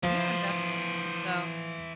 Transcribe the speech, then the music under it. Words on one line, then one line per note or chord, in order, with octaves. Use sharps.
Yeah, definitely, so.
E3 F3 C5